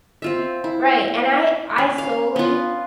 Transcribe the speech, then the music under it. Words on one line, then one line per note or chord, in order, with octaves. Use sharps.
Right, and I I solely
C4 F4 E5
E4
C#4
F5
B3 F4